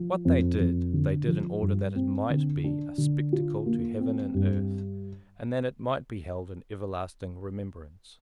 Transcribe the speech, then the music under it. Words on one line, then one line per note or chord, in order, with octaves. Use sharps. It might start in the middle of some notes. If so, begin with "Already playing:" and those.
What they did they did in order that it might be a spectacle to heaven and earth, and that it might be held in everlasting remembrance.
Already playing: F3
F2
F2
D3
F3
G2
C4
D3
D4
D3
F4
A#3
C4
G2